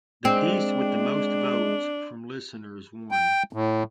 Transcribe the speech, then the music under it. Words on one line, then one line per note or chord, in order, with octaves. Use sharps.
The piece with the most votes from listeners won.
G#3 C4 D4
G5
A2